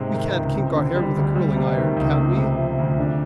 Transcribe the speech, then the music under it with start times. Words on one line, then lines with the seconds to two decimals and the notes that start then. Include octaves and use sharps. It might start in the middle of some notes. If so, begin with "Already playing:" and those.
We can't kink our hair with a curling-iron, can we?
Already playing: G#2 C3 G#3
0.14 D#3
0.35 C#2
0.55 C4
0.76 D3
0.96 G3
1.16 D2
1.35 G3
1.56 C3
1.77 D#3
1.97 C#2
2.18 A3
2.37 C3
2.57 F3
2.78 D2
2.99 D4